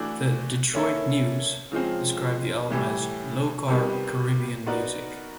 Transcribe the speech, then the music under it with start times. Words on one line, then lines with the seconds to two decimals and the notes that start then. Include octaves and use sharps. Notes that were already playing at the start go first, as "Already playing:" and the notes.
The "Detroit News" described the album as "low-carb Caribbean music".
Already playing: E3 A3 D4 F#4
0.74 A#3 C#4 E4 A4
1.72 C#3 F3 G#3 C4
2.70 A2 E3 G3
3.68 C3 D#3 G3 B3
4.66 B3 D#4 F#4 A#4 D5